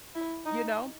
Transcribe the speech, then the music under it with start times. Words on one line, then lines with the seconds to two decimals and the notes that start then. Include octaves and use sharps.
you know?
0.15 E4
0.46 D#4